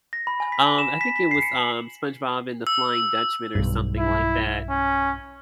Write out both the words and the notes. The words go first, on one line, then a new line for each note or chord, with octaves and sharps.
Um, I think it was, um, SpongeBob and the Flying Dutchman or something like that,
A#6
B5
G#5
B6
G#5
E7
B6
B6
C7
C#7
F#7
E6
B1 G2
E4
C#4